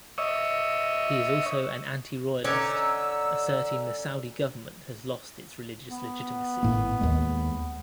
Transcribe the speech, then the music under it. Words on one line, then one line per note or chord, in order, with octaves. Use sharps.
He is also an anti-royalist, asserting the Saudi government has lost its religious legitimacy.
C#5 D#5 E5
D3 C#4 D#4 E6
B3
G#1 A2 A#3
D#2 G#3